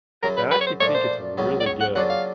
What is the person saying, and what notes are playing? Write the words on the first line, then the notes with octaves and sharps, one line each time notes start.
and I actually think it's really good,
F#2 C#3 F#3 A#4
B4
B4
C#5
C5
A#2 F3 A3 D4 C#5
C5
C#2 C#3 F#3 B3
D5
C#5
F#5
C#3 F#3 A#3 D4 F4 F#5
F5